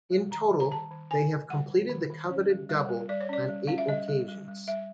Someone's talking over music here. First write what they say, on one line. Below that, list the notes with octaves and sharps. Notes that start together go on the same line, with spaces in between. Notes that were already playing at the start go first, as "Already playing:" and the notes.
In total, they have completed the coveted Double on eight occasions.
G3
D#3 A#5
G3
A#5
D#3 A5
D#3
D#3 G#5
D#3
G3 F#5
D#3
D#3
D#3
C#4
G3
G3
G3
G3 D5
C#5
C#4 D5
G3
C#4 F5
E5
G3 D#5
G3
G3
G3
G3 E5